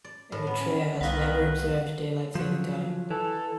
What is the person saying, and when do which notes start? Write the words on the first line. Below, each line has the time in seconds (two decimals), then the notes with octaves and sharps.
Eritrea has never observed daylight saving time.
0.04 D5
0.32 A2
0.47 B3
0.59 C#4
1.01 C2 D#3 B3 A#4 B4 F5 F#5
2.35 F3 F#3
3.11 E3 A4